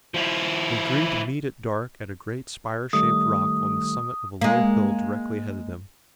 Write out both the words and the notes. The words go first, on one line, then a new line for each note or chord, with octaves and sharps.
They agreed to meet at dark at a great spire-shaped rock on the summit of a low hill directly ahead of them.
F3 E4
D#3 G3 A3 D#6
G#3 A#3